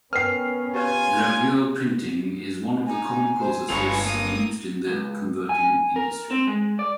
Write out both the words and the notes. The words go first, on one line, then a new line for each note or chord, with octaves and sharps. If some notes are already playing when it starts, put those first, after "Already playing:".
Gravure printing is one of the common processes used in the converting industry.
B3 C#4 A#4 B4 G5 F6 C7
F4 G4 B4 C#5 G#5
D#4 G#5
C5
G1 G#3 F4 B4 C#5 F7
A#3 D#6
C#2
G#5
A#4
C4
G#3
D5